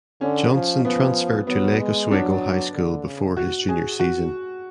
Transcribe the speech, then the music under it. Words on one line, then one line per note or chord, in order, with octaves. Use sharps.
Johnson transferred to Lake Oswego High School before his junior season.
D3 C#4
F3
F3 B3
F#3 B3
G#3
F#3 D4
D3
C#3
F#4
G#4
F#4